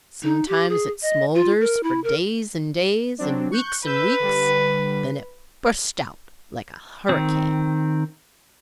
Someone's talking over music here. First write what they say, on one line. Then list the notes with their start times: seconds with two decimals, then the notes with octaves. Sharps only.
"Sometimes it smoulders for days and days, and weeks and weeks; then it bursts out like a hurricane."
0.23 D#4
0.48 G4
0.69 G#4
1.02 D#5
1.35 F4
1.61 A#4
1.83 E4
2.04 A#4
3.18 F#3 C4 D4
3.51 C#6 F#6 G6
3.86 B4 E6 G6
4.20 D3 G3
7.09 D#3 C4